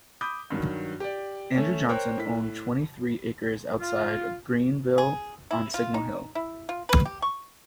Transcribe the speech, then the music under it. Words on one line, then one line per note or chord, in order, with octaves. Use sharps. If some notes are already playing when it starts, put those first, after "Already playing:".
Andrew Johnson owned twenty-three acres outside Greeneville on Signal Hill.
B5 D6 D#6 G6
G2 D#3 F#3
G4 D5
A3 C#4
A#4 C5 C#5 G5 F#6
A2 B6
F4
G#4
E4
F4
D#4
E4
F4
B4
G4
C#6